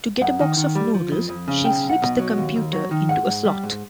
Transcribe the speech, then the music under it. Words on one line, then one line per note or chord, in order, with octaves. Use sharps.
To get a box of noodles, she slips the computer into a slot.
F#2 F#5
D#3
D#3
G3
F3
F2
F2
C#3
B1 G5
B1
F#5
B2
F#3
D#2
D#2
F#3
D#3
G#2 F#5
G#2
G3
G#2